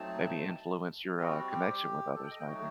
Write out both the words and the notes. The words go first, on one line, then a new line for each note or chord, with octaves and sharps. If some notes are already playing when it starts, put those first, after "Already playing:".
maybe influence your, uh, connection with others maybe?
Already playing: F#3 A3 C4 D#4 A5
G3 C4 F#4 D#5
F#4
F#4
G4
A4
G5
D#5
G5
F#3 A3 D#4 F#4